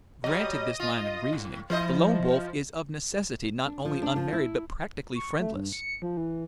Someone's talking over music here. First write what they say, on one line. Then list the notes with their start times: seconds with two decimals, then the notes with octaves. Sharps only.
Granted this line of reasoning, the Lone Wolf is of necessity not only unmarried but practically friendless.
0.24 F#3 G3 D#5
0.80 F4
1.33 A2
1.70 F3 E4 C5 D#5
3.66 D4
3.85 F3
4.02 D4
4.16 F3
4.33 E4
5.15 C#6
5.40 A3
5.54 G2
5.73 C#7
6.02 F3
6.17 E3